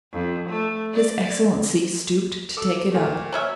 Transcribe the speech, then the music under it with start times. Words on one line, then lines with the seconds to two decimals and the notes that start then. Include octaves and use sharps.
His Excellency stooped to take it up.
0.12 F2
0.49 A3
0.93 D5
2.56 A4 D6 E6
2.92 A#2 A3
3.32 F#3 C#4 E5